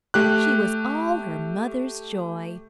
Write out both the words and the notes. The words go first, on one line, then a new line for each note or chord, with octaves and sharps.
She was all her mother's joy.
A3 G4 F#6